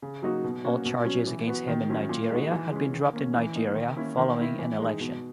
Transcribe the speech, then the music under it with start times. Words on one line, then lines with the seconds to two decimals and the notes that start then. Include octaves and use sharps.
All charges against him in Nigeria had been dropped in Nigeria following an election.
0.02 C#3
0.22 F#3 A#3 D#4 F#4
0.44 B2
0.64 A#3 C#4 F#4
0.85 B2
1.05 F#3 C#4
1.27 E3
1.47 B3 F#4
1.68 D#3
1.89 F#3 C#4 E4
2.09 A#2
2.31 G#3 D#4 F#4
2.52 E3
2.71 G#3 C#4
2.93 D#3
3.13 A#3 C#4
3.34 E3
3.55 A#3 D#4
3.75 D#3
3.97 A#3 C#4 E4
4.17 D#3
4.38 A#3 E4
4.59 E3
4.79 G#3 D#4
5.00 B2